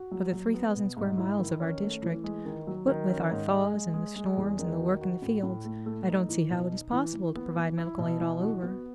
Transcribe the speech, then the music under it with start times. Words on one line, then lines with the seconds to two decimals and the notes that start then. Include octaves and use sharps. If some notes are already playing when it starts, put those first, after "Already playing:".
For the three thousand square miles of our district, what with our thaws, and the storms, and the work in the fields, I don't see how it is possible to provide medical aid all over.
Already playing: F#4
0.11 F#3
0.33 F#3
0.54 B3
0.75 B2
0.97 G#2
1.18 E4
1.39 D#3
1.60 C#4
1.82 A3
2.03 E3
2.24 G#3
2.45 D#3
2.67 F#3
2.87 D#3
3.10 C#4
3.31 G#2
3.51 G#3
3.74 G#3
3.94 G#3
4.16 G#3
4.37 E2
4.59 D#3
4.80 F#4
5.01 F#4
5.22 A2
5.43 A2
5.65 A3
5.86 A3
6.08 D#4
6.29 E3
6.50 B2
6.72 D#4
6.92 E3
7.14 E3
7.35 B3
7.56 E3
7.78 E4
7.99 B2
8.20 E3
8.41 F#4
8.63 B3